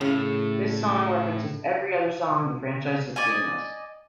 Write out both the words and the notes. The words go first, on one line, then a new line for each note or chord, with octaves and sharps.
This song references every other song the franchise has given us.
A2 C#3
D5 D#5 G#5